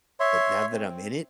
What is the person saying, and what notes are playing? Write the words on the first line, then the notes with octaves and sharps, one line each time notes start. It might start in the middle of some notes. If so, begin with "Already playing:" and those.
But now that I'm in it,
C#5 E5 C6
C4